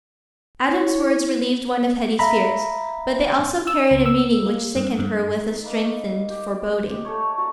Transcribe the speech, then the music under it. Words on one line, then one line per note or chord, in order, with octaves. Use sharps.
Adam's words relieved one of Hetty's fears, but they also carried a meaning which sickened her with a strengthened foreboding.
E4 C#5
E5 F5 A#5 B5
E6
C#2
E6
A#3
G2
G2
D#4
A#3 B4 D#5 B5
G4
G4
A3 A4 C#5
C4 F#4 D5 A#5